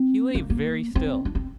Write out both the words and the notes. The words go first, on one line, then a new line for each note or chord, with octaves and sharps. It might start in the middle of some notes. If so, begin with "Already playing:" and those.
He lay very still.
Already playing: C4
A#3
A#3
C4
D4
C4